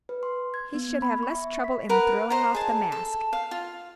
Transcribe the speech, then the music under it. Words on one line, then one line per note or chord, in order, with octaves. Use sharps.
He should have less trouble in throwing off the mask.
B4
C6
G#6
B3
B5
C#6
E5
B6
A#4 B4 F#5
C5 D#5 A#5
G#4 A5
A4
F5
F4